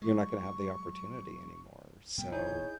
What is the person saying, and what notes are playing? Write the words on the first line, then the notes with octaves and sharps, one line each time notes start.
you're not gonna have the opportunity anymore, so
F#3 G#3 C#6
C3 G3 B3 G5
D#1 B1 D#4 E4 G#4 C#5 G6